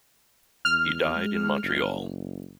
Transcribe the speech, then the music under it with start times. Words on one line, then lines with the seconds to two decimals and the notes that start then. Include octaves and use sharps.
He died in Montreal.
0.65 E2 F6
1.16 G#3
1.63 F#1